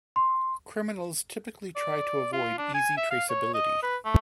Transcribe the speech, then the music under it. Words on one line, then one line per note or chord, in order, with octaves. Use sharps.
Criminals typically try to avoid easy traceability.
C6
D5
F4
D4
G#5
E5
F5
C#5
D#5
B4
A3